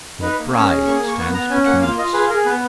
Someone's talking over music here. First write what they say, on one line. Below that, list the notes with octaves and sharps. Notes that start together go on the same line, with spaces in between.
"Your bride stands between us."
D#4 B4
A#3
C#4 C#5
G#4 D#5
A#3 C#6
D#6
A#3
C#6
B3 C#6
B3 A#5
C#4 G#5
A#3 F#5
F4 F5
F4 D#5
G#4 B4
G#4 A#4
B3 B4